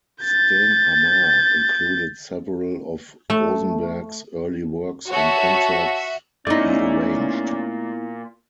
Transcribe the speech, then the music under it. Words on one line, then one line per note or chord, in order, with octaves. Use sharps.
Stenhammar included several of Rosenberg's early works in concerts he arranged.
G6 A6
A3
F#4 C#5 E5 A5
A#2 A3 B3 C#4 D#4 E4 D5